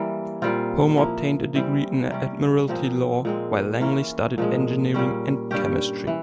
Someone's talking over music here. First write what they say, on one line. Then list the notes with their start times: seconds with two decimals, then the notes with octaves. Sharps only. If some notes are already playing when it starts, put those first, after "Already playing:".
Homer obtained a degree in admiralty law, while Langley studied engineering and chemistry.
Already playing: E3 G3 A#3
0.42 A#2 G3 C4 F4
0.97 F3 A#3 E4
1.55 E3 G3 C4
2.11 C3 G3 C#4
2.68 A#2 F3 C4
3.25 A#2 G#3 C4
3.81 E3 A#3 C#4
4.38 A#2 F3 G#3
4.94 A#2 G3 C#4
5.51 G2 G3 C#4 G4
6.07 E3